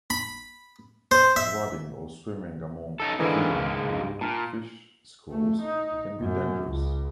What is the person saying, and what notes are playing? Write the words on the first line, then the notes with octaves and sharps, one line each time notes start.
Wading or swimming among feeding bluefish schools can be dangerous.
B5
C5
E5
C#4 D#4 A4 E6
G#2 D3 E3 G#3 A#3 D#4
C#2
A#2 A5 F6
A3
D#4
F#2
C#2